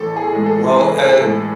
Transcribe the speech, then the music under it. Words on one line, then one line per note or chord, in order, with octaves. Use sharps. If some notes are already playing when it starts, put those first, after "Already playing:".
Well, a
Already playing: A1 A4
G#4
A2 G#3
A4
A1 G#4 B4
G#4 B4
A2 G#3 A4